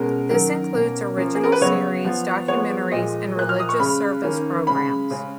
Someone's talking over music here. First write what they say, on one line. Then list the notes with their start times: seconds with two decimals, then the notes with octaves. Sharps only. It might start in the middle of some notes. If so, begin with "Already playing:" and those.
This includes original series, documentaries and religious service programs.
Already playing: B2 G#3 C#4 A#4
0.30 D#3 F#3 C#4 A#4
0.74 B2 A#3 C#4
1.17 F3 A#3 C#4
1.34 G#4
1.44 A#4
1.52 B4
1.61 C#3 F#3 B3 C#5
2.05 F3 B3
2.48 F3 G#3 B3 C#5
2.92 A#2 F3 G#3 D#5
3.36 A#2 F3 A#3 F#6
3.49 F6
3.60 D#6
3.69 C#6
3.79 C#3 G#3 C#4 B5
4.23 D#3 A#3 C#4
4.67 C#3 G#3 C#4 B5
5.11 C#3 G#3 C#4